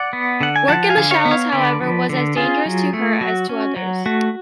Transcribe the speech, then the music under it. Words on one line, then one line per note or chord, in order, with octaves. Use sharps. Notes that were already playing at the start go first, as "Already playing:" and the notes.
Work in the shallows, however, was as dangerous to her as to others.
Already playing: D5 F#5
B3
D3 F#5
G#5
F3 F#5 A5
F5 G#5
D3
C#5 F5
B3
C#5 F5
D3 B4 D5
F3
D3
C#4 F4 G#4
F#3
A3
F#3 F#4
C#4
F#3
A3 F#4